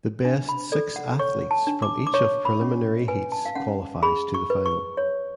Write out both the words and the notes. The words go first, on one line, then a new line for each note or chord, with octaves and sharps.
The best six athletes from each of preliminary heats qualifies to the final.
D4
B5
A4 D5
F#5
C#5 C#6
A5
D4
D6
D6
C#5 C#6
B5
C#4
B4 G#5
A5
F5
C#4 F#5
G#4 B5
C#6
B4
C#6
C#5